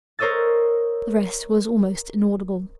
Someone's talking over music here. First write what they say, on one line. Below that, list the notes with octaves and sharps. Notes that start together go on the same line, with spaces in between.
The rest was almost inaudible.
A#4 C5 C#5 D#5 E6 A6